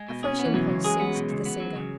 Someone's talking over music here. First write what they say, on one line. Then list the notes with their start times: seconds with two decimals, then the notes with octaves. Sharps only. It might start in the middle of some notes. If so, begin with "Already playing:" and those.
A fresh impulse seized the singer.
Already playing: G#3
0.09 B2
0.23 C#4 G#4
0.39 B3
0.45 E3
0.54 B2 F#3
0.70 C#2
0.84 G#3 G#4
1.00 B3
1.15 B2
1.30 C#2
1.45 B3
1.60 F#3
1.75 C#3